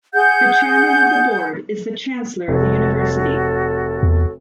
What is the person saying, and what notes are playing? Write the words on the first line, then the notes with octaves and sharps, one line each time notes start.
The Chairman of the board is the Chancellor of the University.
G#4 F#5 G6
F1 F#4 A4 C#5
E2